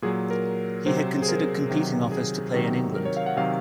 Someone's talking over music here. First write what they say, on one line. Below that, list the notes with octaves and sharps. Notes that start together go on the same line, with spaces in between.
He had considered competing offers to play in England.
A#2 F#3 G#4
A#4
C3 F#3 C5
G#4
A#4
C3 D#3 F#3
G#4
C3 D#3 F#3
A#4
C#5
F5
F#5
C3 D#3 F#3 F5